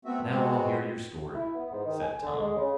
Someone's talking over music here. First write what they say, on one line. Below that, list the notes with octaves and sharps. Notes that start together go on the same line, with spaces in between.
"Now I'll hear your story," said Tom.
A3 B3 C4 F#4 E5
G#3 B3 C4 F#4
E4
B3
G#2
D#3
G#5
D3
G#3
C#3